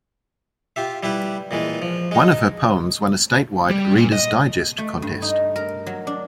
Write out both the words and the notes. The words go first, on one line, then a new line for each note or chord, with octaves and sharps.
One of her poems won a statewide "Reader's Digest" contest.
F4 G4 E5
G3 E4 G4 B4
A#2 E3 G#3
F3
G#3 D#4
G3
A#2
D#5
A3
G2
D#4
A#4
F#3
D4